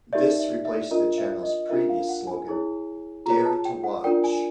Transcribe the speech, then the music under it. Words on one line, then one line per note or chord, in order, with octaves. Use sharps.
This replaced the channel's previous slogan "Dare To Watch".
D#4 G4 A#4 D5 E5
E5
E5
D4 F4 A#4 D#5
E5
D#5
D4 F4 A#4 E5
F5
F#5
G#5
E4 G#4 C#5
F4 G#4 C#5 A#5
A5
G5
F#5
D4 F4 A#4 D5 G5
G#5